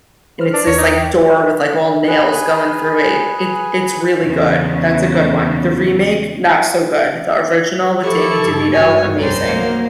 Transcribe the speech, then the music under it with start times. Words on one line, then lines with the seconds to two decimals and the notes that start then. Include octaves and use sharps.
and it's this, like, door with, like, all nails going through it. It it's really good, that's a good one. The remake, not so good; he original with Danny DeVito, amazing.
0.39 B4 C5 F6
0.54 D4
0.67 E2 C#5
0.78 D#4 D6
0.96 G5
2.08 G#4 B4
4.23 E2 C#3
8.03 F3 E4 G4 A4 C#6
8.40 G2 C#3
8.72 G#1 G2 F#4 C#5 G#5
9.17 C2 F2 G3 A#4 C5 C#5
9.46 D#3 F#3 A#3